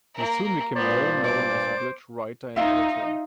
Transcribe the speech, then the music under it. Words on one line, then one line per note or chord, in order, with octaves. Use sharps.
He soon became well known as a bridge writer and editor.
A#3 A#4
G2 A#2 B3 C5 D5
C5 D6
D#4 F4 E5